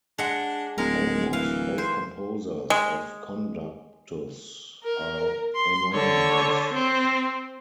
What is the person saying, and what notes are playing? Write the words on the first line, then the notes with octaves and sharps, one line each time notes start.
Almost all composers of conductus are anonymous.
G#3 D4 F#5
D1 G#3 A#4
E3 F5
C5
G#3
A#4
C6
D3 C#5
C4